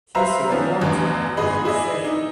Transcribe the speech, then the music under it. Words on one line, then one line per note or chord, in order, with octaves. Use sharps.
He served one term in the Fifth Session.
B4 C5 E5 F5 A#5
D#3 F3 B3 C#4 D4
A1 E2 G2 E3
G1 G#2 D#4 G#4 D#5 B5
E4 G#4 D5 D#5
D#4